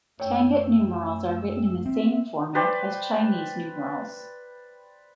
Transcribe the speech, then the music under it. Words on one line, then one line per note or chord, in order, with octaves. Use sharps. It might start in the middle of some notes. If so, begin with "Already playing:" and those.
Tangut numerals are written in the same format as Chinese numerals.
F#2 A3 C#5 G5 E6
C4 E5
B4 C5 D5 G5